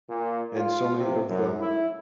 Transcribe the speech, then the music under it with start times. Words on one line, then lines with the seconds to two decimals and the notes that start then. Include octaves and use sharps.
and so many of them
0.10 A#2
0.55 F4
0.97 C3
1.27 F#2
1.59 E4